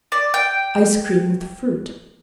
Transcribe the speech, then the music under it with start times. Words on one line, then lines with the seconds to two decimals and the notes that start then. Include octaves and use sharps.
Ice Cream with Fruit.
0.12 D5
0.34 G5